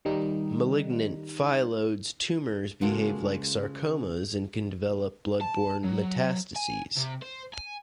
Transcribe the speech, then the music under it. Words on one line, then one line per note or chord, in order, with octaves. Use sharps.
Malignant phyllodes tumours behave like sarcomas and can develop blood-borne metastases.
D#3 G3 D#4
C#3 G#3 A#3 F4 F#4 A4
A5
F#3
G#5
C3
C5
G#5